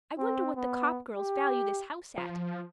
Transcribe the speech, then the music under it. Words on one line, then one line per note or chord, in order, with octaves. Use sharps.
I wonder what the Copp girls value this house at.
C4
B3
G4
F3